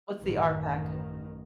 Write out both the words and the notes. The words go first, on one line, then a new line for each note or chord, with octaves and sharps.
What's the RPAC?
A1 F#2 D#3